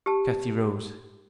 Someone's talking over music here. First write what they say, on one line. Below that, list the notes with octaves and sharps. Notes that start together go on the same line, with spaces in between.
Cathy rose.
G4 A5